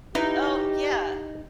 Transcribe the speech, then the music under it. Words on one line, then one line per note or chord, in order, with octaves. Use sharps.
Oh, yeah.
D#4 E4 G4 B4